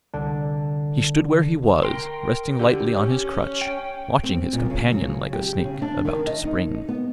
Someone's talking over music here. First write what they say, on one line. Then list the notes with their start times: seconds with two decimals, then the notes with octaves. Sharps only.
He stood where he was, resting lightly on his crutch, watching his companion like a snake about to spring.
0.14 C2 D3 D4
1.83 A#4 G5 C6
2.59 D3 G4
2.96 C#4
3.61 G5
4.23 C4
4.53 A#2
4.70 C#3
4.92 F#3
5.05 C#3
5.33 G4
5.64 C#3
5.82 D4
6.05 D#3
6.27 D#5
6.45 D#4
6.89 B3